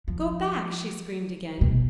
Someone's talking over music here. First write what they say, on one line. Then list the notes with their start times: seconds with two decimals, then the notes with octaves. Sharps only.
"Go back!" she screamed again.
0.08 F3
1.61 B2